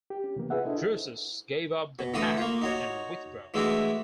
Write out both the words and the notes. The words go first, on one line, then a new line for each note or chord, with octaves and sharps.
Drusus gave up the attack and withdrew.
G4
C#4
C3 E3 A#3 B3
F4 G#4 B4 E5 F#5
D4 E4 A4 C5 D#5
B2
D3 E3 A3 F#4 A4 D#6
A#3 F4
D#4 F#4 C#5
E3 G#3 A3 D4 E4 F#4